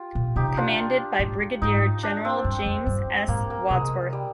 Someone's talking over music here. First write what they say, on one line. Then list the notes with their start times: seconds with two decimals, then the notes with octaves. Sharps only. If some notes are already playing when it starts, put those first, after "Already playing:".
Commanded by Brigadier General James S. Wadsworth.
Already playing: F4 G4
0.15 A#2
0.36 C3 D#4 G4
0.57 D4 F4
1.19 G#2
1.62 G#2 D#4
2.03 D4
2.25 C4
2.44 G2
2.66 F2
2.86 G2
3.28 G#2 A#3
3.50 A#3
3.70 C3 G#3
4.13 G3